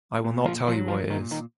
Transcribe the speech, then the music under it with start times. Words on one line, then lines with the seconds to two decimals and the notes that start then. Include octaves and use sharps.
I will not tell you what it is.
0.25 A#2
0.45 F3 F4
0.67 F3 F#3 F4
0.88 F3 F4
1.10 A#2 D#3 D#4
1.31 D#3 D#4